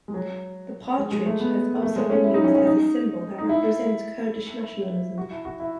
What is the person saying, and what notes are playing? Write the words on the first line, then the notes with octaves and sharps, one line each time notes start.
The partridge has also been used as a symbol that represents Kurdish nationalism.
G#3
F#3
G#3
G#3
A3
B3
A3
G#3
C#4
E4
D#4
C#4
C#4
D#4
D#4
E4
F#4
E4
F#4
E4